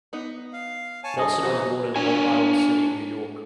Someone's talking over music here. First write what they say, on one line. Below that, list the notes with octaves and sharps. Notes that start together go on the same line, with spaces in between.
Nelson was born in Long Island City, New York.
B3 D#4
F5
C#5 G#5 A5
G2 G#4 A4 D#5
C#3 E3 F#3 F#4 C5
D4 C#5 G#5